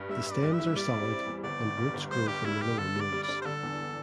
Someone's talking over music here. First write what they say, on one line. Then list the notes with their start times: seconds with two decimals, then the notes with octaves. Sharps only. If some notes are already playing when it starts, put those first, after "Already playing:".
The stems are solid and roots grow from the lower nodes.
Already playing: G2
0.09 G3 E5
0.26 G2
0.32 D5
0.43 G2
0.54 E5
0.60 E4
0.76 G3 D5
0.94 C4
1.10 C4
1.27 E2
1.43 G1 D5
1.61 G1
1.77 G2
1.94 G1
2.11 G3 C5
2.27 G2 G4
2.45 G3 E4
2.62 G2 G4
2.78 D3 A4
2.95 G3
3.00 D5
3.12 G3
3.23 D5
3.28 D4
3.42 C5
3.45 D3 A4
3.63 E2